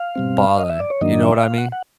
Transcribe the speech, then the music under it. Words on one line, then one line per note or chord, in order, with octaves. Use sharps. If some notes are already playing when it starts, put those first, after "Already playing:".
balling, you know what I mean?
Already playing: F5
B2 G3 C4
D#5
E5
D5
C#5
G2 D#3 F#3 A#3 D4 D#5
E5
F5
F#5
F#5